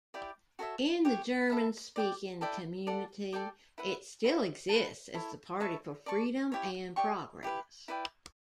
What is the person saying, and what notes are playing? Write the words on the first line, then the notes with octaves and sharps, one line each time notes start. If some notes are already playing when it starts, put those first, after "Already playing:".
In the German-speaking Community, it still exists as the Party for Freedom and Progress.
E4 G4 D5 G5
F#4 A4 C#5 E5
G4 C#5 F#5
A4 E5 B5
D5 G5 D6
E4 A4 D5 G5
A4 D5 F#5 A5
A4 D5 G5 D6
E4 B4 F#5
F#4 B4 E5 B5
B4 F#5 A5
E4 A4 C#5
B4 E5 A5 C#6
D5 A5 C#6
E4 G4 C#5
G4 D5 G5 C#6
E4 G4 B4
E4 B4 D5 G5